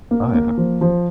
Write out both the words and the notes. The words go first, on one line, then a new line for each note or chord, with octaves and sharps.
Oh, yeah.
A#3
A#3
F3
F3